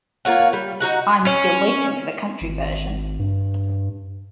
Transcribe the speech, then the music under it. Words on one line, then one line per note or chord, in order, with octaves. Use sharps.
I'm still waiting for the country version.
A#3 F4 C#5 F#5
G3
D#4 F#4 F#5
C#4
G#1
G2